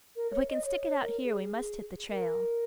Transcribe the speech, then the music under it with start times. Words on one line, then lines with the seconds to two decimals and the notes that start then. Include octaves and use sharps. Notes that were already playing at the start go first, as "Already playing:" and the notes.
If we can stick it out here we must hit the trail ...
0.16 A#4
0.31 C#5
0.48 D#5
0.65 C#5
0.81 C#5
1.02 A#4
1.24 G#4
2.10 A#4